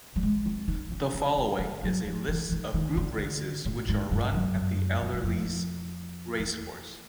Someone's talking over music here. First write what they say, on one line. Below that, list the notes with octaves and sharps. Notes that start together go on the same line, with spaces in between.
The following is a list of Group races which are run at Ellerslie Racecourse.
G3
G#3
C4
D#4
C#4
C4
B3
G3
F#3
F3
E3
D#3
D#3
D3
A2
G#2
G2
F#2
F2
F#2
F2
E2